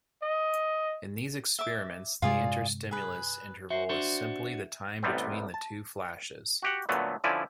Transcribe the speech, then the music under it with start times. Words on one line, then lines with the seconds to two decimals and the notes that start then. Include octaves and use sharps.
In these experiments, the interstimulus interval is simply the time between the two flashes.
0.23 D#5
1.59 E5 D6
2.22 G2 C3 G#3 F4 G#4 D5
2.91 G#4 B4
3.70 F#4 C5 E5 C7
3.89 D4 F#4 C5
5.03 A1 C3 G3 B3 C4
5.54 A5
6.62 F#4 G4 F#5
6.89 A#2 D3 F#3 A3 B3
7.24 D3 F3 C#4 E4 D5 G#5